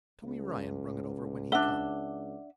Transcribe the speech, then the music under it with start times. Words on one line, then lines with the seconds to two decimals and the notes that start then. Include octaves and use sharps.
Tommy Ryan brung it over when he come.
0.23 C#2
1.52 D4 E5 F#5 G7